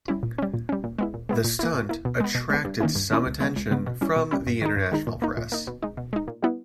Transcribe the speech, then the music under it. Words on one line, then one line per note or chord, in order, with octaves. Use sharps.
The stunt attracted some attention from the international press.
G3 C#4 E4
A#2
G3 C#4
A#2
G3 C#4
A#2
G#3 B3 E4
A#2
G#3 B3 E4
A#2
A#3 E4
A#2
A#3 E4
B2
G#3 B3
B2
G#3 B3
G2
D#3 A#3 C#4 E4
G2
D#3 A#3 C#4 E4
C#2
C#3 G#3 B3
C#2
C#3 G#3 B3
B2
G3 C#4 E4
B2
G3 C#4 E4
G2
D#3 G#3 D#4
G2
D#3 G#3 D#4
A#2
A#3 D#4
A#2
A#3 D#4
B2
G#3 D#4
B2
G#3 D#4
A#2
G3 B3 E4